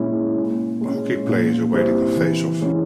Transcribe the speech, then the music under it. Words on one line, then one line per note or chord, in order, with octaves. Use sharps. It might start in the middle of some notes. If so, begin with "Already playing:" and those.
Hockey players awaiting a faceoff.
Already playing: A#2 G#3 C#4 E4
A#2
G#3 C#4
A#2
G3 C4 E4
E3
G#3 C#4 E4